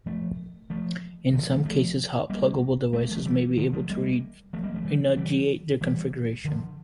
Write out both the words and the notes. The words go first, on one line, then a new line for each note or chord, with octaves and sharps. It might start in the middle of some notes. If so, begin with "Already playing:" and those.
In some cases, hot pluggable devices may be able to renegotiate their configuration.
F3 A3
F3 A3
D3 F3
F3 A3
F3 A3
G3 A#3
A3
A#3
F3 A3
E3 G3
D3 F3
F3 A3
G3 A#3
F3 A3
G3 A#3
F3 A3
E3 G3
E3 G3
E3 G3
D3 F3